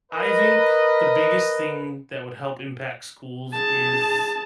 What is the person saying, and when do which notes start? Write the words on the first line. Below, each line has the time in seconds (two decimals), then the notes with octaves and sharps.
I think the biggest thing that would help impact schools is
0.12 A#4 B4 D#5
3.53 G#4 A5